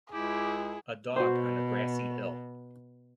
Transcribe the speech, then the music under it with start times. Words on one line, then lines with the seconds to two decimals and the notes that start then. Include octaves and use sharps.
A dog on a grassy hill.
0.12 C#2 E4 G4 G#4
1.16 B2 F#4 C5